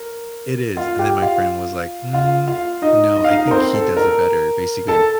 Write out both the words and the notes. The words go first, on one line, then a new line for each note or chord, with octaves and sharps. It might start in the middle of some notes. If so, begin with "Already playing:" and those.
It is, and then my friend was, like, "Mm, no, I think he does it better basically,
Already playing: A#4
F4 F5
G4 G5
F4 F5
F4 F5
F4 F5
D#4 D#5
D#5
F5
D#4 D#5
A#4
C4 C5
A4
A#4
A4 A5